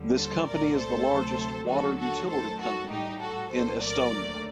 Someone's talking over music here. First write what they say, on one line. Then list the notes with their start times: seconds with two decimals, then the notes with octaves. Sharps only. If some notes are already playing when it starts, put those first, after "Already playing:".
This company is the largest water utility company in Estonia.
Already playing: D#2 D3 G3
0.16 A4 C5
0.46 C2 A#2 A3 A#4 D5
0.77 A4 C5
1.07 D2 C3 F#3 A3
1.68 D#2 D3 F#3 F#4 A4
1.99 F#4 A4
2.29 F#2 D#3 A3 A4 C5
2.59 F#4 A4
2.90 A2 G3 D#4 G4
3.20 F#4 A4
3.51 C2 A#2 F#3 A3 A4 C5
3.81 A#4 D5
4.12 D#2 D3 A3